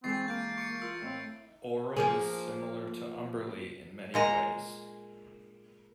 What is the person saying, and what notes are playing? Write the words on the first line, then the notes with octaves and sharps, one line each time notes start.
Auril is similar to Umberlee in many ways.
E3 G#3 C4 A4 C#6 A6 C7
A#3 G6 D7
C#6 C#7 D7
F4 A#4 E6
A2 C4 F5
F3 A#3 G#4
A#2 G#3 A#5